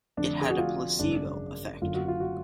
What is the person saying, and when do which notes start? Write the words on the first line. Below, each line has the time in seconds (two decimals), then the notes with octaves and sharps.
It had a placebo effect.
0.17 F1 F2 D3 D4
0.41 G#4
0.50 F#4
0.58 F4
0.99 G#1 F#2 C#3 D4
1.82 F#1 F#2 D3 F4
1.94 F#4
2.08 F4
2.20 F#4